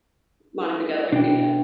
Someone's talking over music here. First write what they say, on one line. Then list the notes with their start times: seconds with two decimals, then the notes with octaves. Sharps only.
Monica Geller, yeah.
1.12 B2 D4 G5